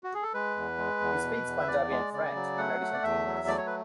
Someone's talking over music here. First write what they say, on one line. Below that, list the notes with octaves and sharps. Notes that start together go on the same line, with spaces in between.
He speaks Punjabi and French, in addition to English.
F#4
G#4
A4
G#3 B4
E2
G#3
E2
B2
E2
E5
E2 D5
G#3
C#3 D5
F#3
A3 F#5
A3
D5
E2 E5
F#3
A3 D5
C#5
B4